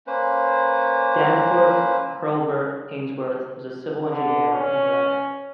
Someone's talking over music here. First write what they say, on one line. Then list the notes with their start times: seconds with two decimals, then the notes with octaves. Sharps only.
Danforth Hurlburt Ainsworth was a civil engineer and writer.
0.07 A#3 C#4 B4 C5
4.09 D3
4.52 C#4